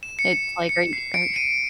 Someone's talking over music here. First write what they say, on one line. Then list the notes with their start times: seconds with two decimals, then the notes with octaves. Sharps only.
It's like, "Are are
0.03 E7
0.19 C#7
0.69 C#7
0.93 C7
1.14 D7
1.36 D#7